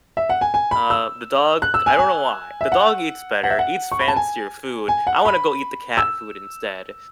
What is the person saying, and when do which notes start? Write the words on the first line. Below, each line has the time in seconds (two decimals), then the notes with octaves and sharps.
Uh, the dog, I don't know why. The dog eats better, eats fancier food. I wanna go eat the cat food instead.
0.17 E5
0.29 F#5
0.41 G#5
0.54 G#5
0.71 B5
0.90 E6
1.62 F#6
1.74 E6
1.86 G#5
1.99 G#5
2.61 E5
2.72 F#5
3.43 F#5
3.50 E5
3.59 F#5
3.92 C#6
4.00 B5
4.08 A5
4.16 G#5
4.88 G#5
5.07 F#5
5.25 B5
5.97 E6